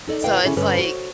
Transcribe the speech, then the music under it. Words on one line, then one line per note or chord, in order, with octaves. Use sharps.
So, it's, like
D#4 A4 D5 D#5
D#2 B2 E4 B4 F5 G5
D3 C#4 E4 G#4 A4
G2 D3 C#4 A4 B4 C#5
F#4 C5 C#5